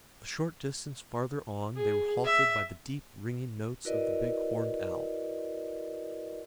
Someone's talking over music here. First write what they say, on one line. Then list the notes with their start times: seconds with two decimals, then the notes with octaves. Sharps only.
A short distance farther on they were halted by the deep ringing notes of the big horned owl.
1.76 G#4
2.24 E5
3.85 E4 F#4 A#4 B4 D5 D#5